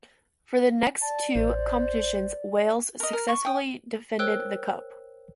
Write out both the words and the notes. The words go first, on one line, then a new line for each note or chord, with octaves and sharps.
For the next two competitions Wales successfully defended the cup.
D5 A5
A1 C5
A#4 D#5
A#4
C#6
G5 D#6
A#4 C5 C#5 G5 E6 F#6